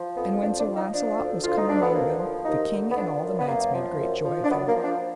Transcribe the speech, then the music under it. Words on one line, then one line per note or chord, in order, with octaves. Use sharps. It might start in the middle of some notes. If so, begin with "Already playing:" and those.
And when Sir Launcelot was come among them, the king and all the knights made great joy of him.
Already playing: F3
F2 B3
F3 D4
D4
F3
D#4
F3 D4
D2
D2 F4
D#4
D2 D4
B3
D#2 A#3
F3
D#2 D#4
D3
B3
F3 D4
F#2
B3
F#2 A#3
F3
F#2
F3
D4
F#2 B3
A#3
F3
D4